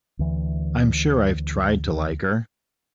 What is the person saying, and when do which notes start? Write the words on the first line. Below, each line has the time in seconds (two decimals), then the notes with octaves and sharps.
I’m sure I’ve tried to like her.
0.19 D2 E3